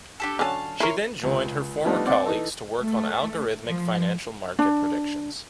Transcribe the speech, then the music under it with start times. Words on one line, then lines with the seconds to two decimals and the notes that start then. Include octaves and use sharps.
She then joined her former colleagues to work on algorithmic financial market predictions.
0.20 D4 G4 A4
0.39 D3 F#3 C#4 F5 A5
0.80 E4 A#4 C#5 C6
1.23 C#2
1.84 F3 G3 A3 B3 D4 D#4
2.06 C4 D5 F#5
2.26 E3 D#4 A4
2.80 A3
3.66 F3
4.59 D4